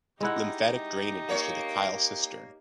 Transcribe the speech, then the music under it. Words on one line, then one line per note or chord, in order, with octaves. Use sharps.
Lymphatic drainage is to the chyle cistern.
G#3 D#4 E4 G4 F#5
A#3 C#5